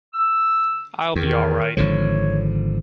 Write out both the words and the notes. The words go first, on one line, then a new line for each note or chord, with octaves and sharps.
I'll be alright.
E6
E2 D#3
G#1 D3 F3 C#5